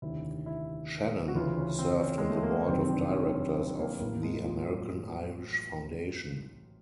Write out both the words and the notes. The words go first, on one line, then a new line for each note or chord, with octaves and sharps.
Shannon served on the board of directors of the American Irish Foundation.
F1 D#2 D3 E4
E4
F#4
D2 C#3 E3 F4
C#4
C4
C#4
G#3
A3
A#3
B3
F#1 F2 C3 D#3 C4
D4
C#4
C4
B3
A#3
A1 A2 E3 A#3
G#3
F3
F#3